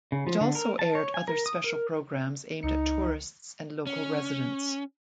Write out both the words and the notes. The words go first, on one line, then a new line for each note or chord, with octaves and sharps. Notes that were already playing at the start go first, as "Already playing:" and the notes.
It also aired other special programs aimed at tourists and local residents.
C#3
F3
D3
A#4
A5
C#5
G#5
A#4
D#6
A#4
C#2 D#4 C#7
C#4